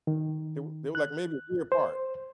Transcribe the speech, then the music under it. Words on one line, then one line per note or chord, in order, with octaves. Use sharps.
They were they were, like, maybe a year apart.
D#3
F#6
C5